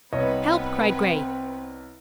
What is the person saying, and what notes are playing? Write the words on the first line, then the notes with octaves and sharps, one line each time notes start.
"Help!" cried Grace.
C2 B3 C4 B4 C#5 D#5